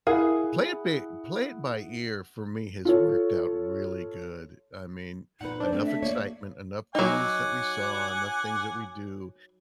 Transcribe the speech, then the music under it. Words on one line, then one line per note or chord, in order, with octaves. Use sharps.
Play it bi play it by ear for me has worked out really good. I mean, enough excitement, enough things that we saw, enough things that we do,
E4 G#4 A#4 F5 F#5
F4 A4 C#5
A#2 D#4 B4 F#5
D4 C5
A3 C4
E5
A#3 C#5 D5
F#3 D#4 F#5 G#5 D6